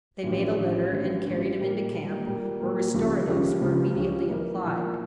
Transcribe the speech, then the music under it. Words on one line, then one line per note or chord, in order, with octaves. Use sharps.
They made a litter and carried him into camp, where restoratives were immediately applied.
A1 G2 F3 C#4 G4
A1 G2 F3 C#4 G4
A1 G2 F3 C#4 G4
A1 G2 F3 C#4 G4
A#2 G3 A#3
A#2 G3 A#3
A#2 G3 A#3
A#2 G3 A#3
C#2 C#3 F3 C#4 G4
C#2 C#3 F3 C#4 G4
C#2 C#3 F3 C#4 G4
C#2 C#3 F3 C#4 G4
A#2 F3 A#3 E4
A#2 F3 A#3 E4